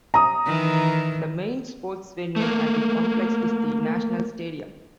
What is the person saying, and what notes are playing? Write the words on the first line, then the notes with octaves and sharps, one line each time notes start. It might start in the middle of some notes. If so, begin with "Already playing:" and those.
The main sports venue at the complex is the National Stadium.
A#5 D#6
D#3 E3
A3 A#3